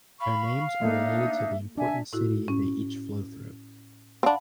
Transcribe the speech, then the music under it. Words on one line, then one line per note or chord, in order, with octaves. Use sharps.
Their names are related to the important city they each flow through.
F5 B5 C#6
A3 A#3 D4 D#4 E5
D4 E5 G#5
A2 E4 F#4
C#4
C4 D4 F5 F#5 B5